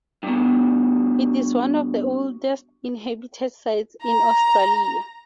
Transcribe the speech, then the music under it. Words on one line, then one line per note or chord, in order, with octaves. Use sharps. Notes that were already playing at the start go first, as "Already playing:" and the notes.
It is one of the oldest inhabited sites in Australia.
G2 B2
A#5